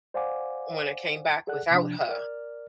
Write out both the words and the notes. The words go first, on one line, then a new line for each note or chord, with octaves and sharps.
when I came back without her,
C5 D5 F5 F#5 G#5 D6
G#4 A4 D5 F#5 F#6
C3 F3 D4
A#4 D5 F6